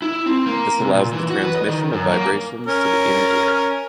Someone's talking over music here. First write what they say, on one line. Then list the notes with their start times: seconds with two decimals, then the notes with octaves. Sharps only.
This allows the transmission of vibrations to the inner ear.
0.02 E4
0.26 C4
0.46 A#3
0.79 C3
0.94 A#2
1.13 E3
1.30 F#4
1.43 B4
1.56 D#5
1.68 D#3
1.93 F#2
2.11 A#3
2.66 C#4 A#4